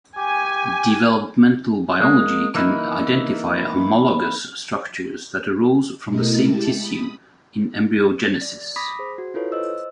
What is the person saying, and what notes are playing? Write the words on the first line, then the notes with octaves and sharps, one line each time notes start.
Developmental biology can identify homologous structures that arose from the same tissue in embryogenesis.
G4 G#5
G#3 A#3
E3 A#3 D#4 E4
B2 A3 E4 A#4 D#5
G#3 E4 G4 A5 A6
B5 D#6
D5
B5 D6 D#6 A#6 B6
G#4 C5
F#4
E4 F4 A4 B4 C#5
C5 D#5 E6